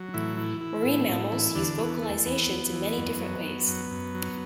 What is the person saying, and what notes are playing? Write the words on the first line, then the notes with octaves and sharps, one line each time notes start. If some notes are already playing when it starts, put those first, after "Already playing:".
Marine mammals use vocalisations in many different ways.
Already playing: F#3
A2 E3 E4
E3
E3
A2
A2
E3
E2 D3 D4
E3 B3
E3 A3
E2 B3
E2
E3
F#2
F#3
F#3
F#2
F#2
F#3